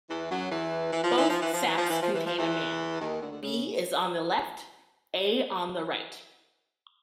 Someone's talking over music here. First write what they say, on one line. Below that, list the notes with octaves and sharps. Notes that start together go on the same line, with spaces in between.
Both sacks contain a man; B is on the left, A on the right.
E2 E3
F#2 F#3
E2 E3
E3
F3
E3
F3
E3
F3
E3
F3
E3
F3
E3
F3
E2 E3
D#2 D#3
D2 D3
D3
C#3